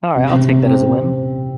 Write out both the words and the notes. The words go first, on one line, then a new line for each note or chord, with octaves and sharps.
Alright. I'll take that as a win.
C3
C3
C3
C4